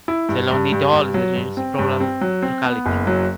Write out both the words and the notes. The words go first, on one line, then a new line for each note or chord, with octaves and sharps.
Zelyony Dol is the nearest rural locality.
E4
G2
G2
G2
G2
F#3
G2
C4
G2
C4
F#3
C4
B3
F#1
F#3